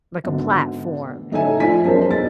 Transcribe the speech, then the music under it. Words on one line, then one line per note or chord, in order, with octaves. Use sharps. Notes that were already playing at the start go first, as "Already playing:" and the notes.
like, a platform in a way,
G#1 B2 D3
A1 D#4 A4 E5 G#5
F3 D5 G#5 B6
B1 F#2 G#3 A#4 C5 A5
E1 D#4 A6